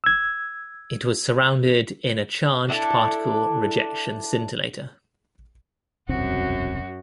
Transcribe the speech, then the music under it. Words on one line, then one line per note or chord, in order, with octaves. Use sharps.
It was surrounded in a charged particle rejection scintillator.
E6 G#6
D4 E4 F#4 A4
E1 C2 F#2 C4 F#4